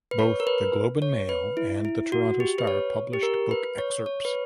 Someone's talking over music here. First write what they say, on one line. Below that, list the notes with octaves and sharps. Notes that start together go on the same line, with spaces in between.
Both "The Globe and Mail" and the "Toronto Star" published book excerpts.
B4
C#5
A#4
B4
C#5
B4
E4
E4
F#4
G4
B4
C#5
G4
A#4
B4
C#5
C#5
B4